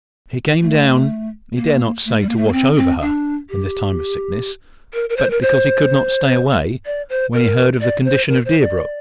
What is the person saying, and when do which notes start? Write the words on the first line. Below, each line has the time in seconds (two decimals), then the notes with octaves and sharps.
He came down--he dared not say to watch over her in this time of sickness--but because he could not stay away when he heard of the condition of Deerbrook.
0.62 A3
1.57 A#3
2.05 A3
2.21 G3
2.29 A#3
2.37 A3
2.47 A#3
2.53 C4
2.77 C4
3.02 D4
3.50 G4
4.93 A#4
5.10 A#4
5.17 C5
5.30 A#4
5.42 C5
6.86 D5
7.09 C5
7.33 A#4
7.81 D5
8.05 C5
8.28 A#4
8.45 C5
8.60 D5